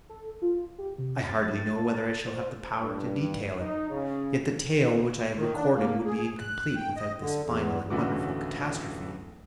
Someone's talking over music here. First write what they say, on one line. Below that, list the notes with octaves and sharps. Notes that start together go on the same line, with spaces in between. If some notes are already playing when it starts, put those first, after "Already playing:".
I hardly know whether I shall have the power to detail it; yet the tale which I have recorded would be incomplete without this final and wonderful catastrophe.
A4
F4
G4
C3
A6
A5
A6
C5
G2
D#4
C#3
D#3
D4
A#3
G#4
F#6
G5
D#5
D3
E2
D1 C#2 D3 E3 F#4 D6